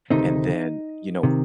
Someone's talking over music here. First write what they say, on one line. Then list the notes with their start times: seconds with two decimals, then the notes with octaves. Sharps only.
And then, you know,
0.10 D2 C3 D#3 A3 C4 D#4
1.23 C3 D#3